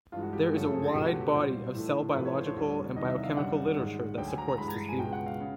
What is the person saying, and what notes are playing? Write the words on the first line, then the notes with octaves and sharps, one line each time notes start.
There is a wide body of cell-biological and biochemical literature that supports this view.
G2 E3 G#3 F4
F#4
G4
G#4
F#2 C#3 F3 A3 A4
A4
G#4
C#2 B2 F#3 A3 G4
F#4
G4
A#2 G3 C5
A2 E3 A3
C5
A2 F3 A3 B4
C#5
C5
C#5
D2 D3 G3
E2 C3 D#3 G3 D#5
E5
F5
F#2 D3 G3 F#5
G#2 D#3 G#3
D2 D3 F#3 G5
G#5
A#5
A#5
G2 E3 G#3 B5
A#5
G#5
C#2 B2 G#3 G5
F#5
F5
C#3